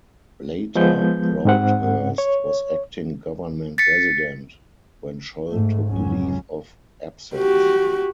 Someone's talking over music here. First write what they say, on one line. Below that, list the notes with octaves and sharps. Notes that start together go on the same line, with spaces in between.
Later Broadhurst was Acting Government Resident when Sholl took leave of absence.
F3 G#3 B3 G6
G#2 C4 F#5
C#5
A6 B6 C#7
G#2 A3
F1 C#2 F#3 C#4
F#4 G4